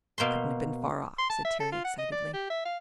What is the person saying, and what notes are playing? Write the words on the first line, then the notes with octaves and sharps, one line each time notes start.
"It couldn't have been far off," said Terry excitedly.
B2 A#3 C5 C6
C6
A5
E5
A4
F4
F#5
D#5
D5
G4
E5
F5